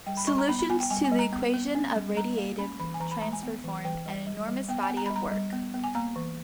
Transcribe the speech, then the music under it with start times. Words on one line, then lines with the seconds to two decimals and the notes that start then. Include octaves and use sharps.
Solutions to the equation of radiative transfer form an enormous body of work.
0.06 G3 G5
0.17 B5
0.27 G3 C#6
0.38 A#5
0.49 B3 B5
0.59 B5
0.70 B3 G#5
0.80 G5
0.90 G3 G#5
1.04 G#5
1.12 G3
1.19 A#5
1.32 B3
1.54 B3
1.75 C#4
1.96 G3
2.16 G3 A#5
2.37 A#3
2.58 C#4 B5
2.80 E3 B5
2.94 G#5
3.00 E3 A#5
3.11 B5
3.22 G#3 A#5
3.33 G#5
3.43 B3
3.64 E3
3.84 E3 G5
4.06 G3
4.27 G3
4.48 G3
4.69 B3 G5
4.83 G#5
4.90 B3
4.97 A#5
5.06 G3 B5
5.16 A#5
5.32 G3
5.53 B3
5.74 B3
5.84 G#5
5.95 A#3 A#5
6.16 E3